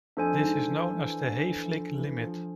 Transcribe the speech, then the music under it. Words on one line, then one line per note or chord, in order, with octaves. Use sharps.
This is known as the Hayflick limit.
F2 D4 A4 C5 G#5
G#2
E3
E3
D3
D3
E3
E3
F3
E3
F3